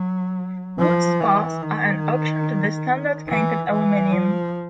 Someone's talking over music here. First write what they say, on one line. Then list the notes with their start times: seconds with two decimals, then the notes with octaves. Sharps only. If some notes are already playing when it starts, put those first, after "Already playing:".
Wood spars are an option to the standard painted aluminum.
Already playing: F#3
0.79 F3
1.20 E3
1.62 D#3
3.29 E3
3.70 E3
4.12 F3